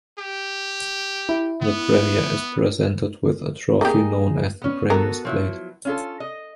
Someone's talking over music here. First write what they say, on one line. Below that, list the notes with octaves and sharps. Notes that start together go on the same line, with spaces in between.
The Premier is presented with a trophy known as the Premier's Plate.
G4
E4
B3
A#3 D#4 G4 G#4
B3 C#4
B3 F#4 A4 A#4
F3 F#3 E4
C#4 F4 A4
D#5